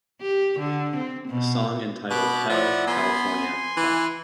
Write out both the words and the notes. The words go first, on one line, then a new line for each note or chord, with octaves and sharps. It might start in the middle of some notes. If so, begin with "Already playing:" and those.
A song entitled Hell, California, Pop.
G4
D3
C4
B2
B2 B5 D6 F#6
F3 E4 D5 F#5
B3 G#5 C6
E3